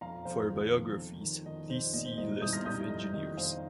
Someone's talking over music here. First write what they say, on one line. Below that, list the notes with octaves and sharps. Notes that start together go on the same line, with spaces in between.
For biographies please see List of engineers.
F2 F5 A#5
F2 C5 F5
D#3
F2
F2
D#3
D#3 D#5
F2 C5
A#2 D#5
C5
C2 D#5
C2 D#6 G6
F6 A#6
C2 D#6 G6
F2 D#5
D#3 D#5
F2 C5 F5